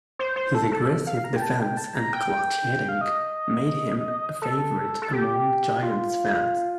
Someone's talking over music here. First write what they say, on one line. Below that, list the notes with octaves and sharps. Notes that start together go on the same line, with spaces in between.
His aggressive defense and clutch hitting made him a favorite among Giants fans.
C5
C5
A4
A4
F5
A#5
G5
A5
G5
A5
A#5
G5
F5
D#5
A4
A4
G4
F4